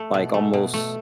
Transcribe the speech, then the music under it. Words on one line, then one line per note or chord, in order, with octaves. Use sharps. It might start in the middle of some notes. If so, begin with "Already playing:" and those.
like, almost
Already playing: A3
B2
A3
B2
A3